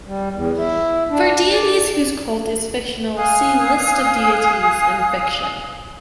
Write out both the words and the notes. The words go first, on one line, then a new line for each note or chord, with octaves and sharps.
For deities whose cult is fictional see List of deities in fiction.
G3
E2
E4
D4
D5
F5 G#5 D#6 F#6